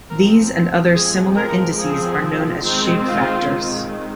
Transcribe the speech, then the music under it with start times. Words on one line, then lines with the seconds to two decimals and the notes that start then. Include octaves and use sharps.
These and other similar indices are known as shape factors.
0.11 F3 C4 A#4
0.94 F3 G#3 C4 G#4
1.36 A#4
1.78 F3 C4 G#4
2.62 D#3 G#3 C4
3.03 F4
3.47 D#3 G#3 C4